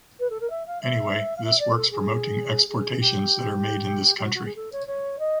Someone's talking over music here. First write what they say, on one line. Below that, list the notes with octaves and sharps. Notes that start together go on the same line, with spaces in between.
Anyway, this works promoting exportations that are made in this country.
B4
A4
A#4
E5
F5
E5
F5
E5
D5
A4
G#4
G#4
G4
G4
F#4
F#4
G#4
A4
C#5
C#5
D#5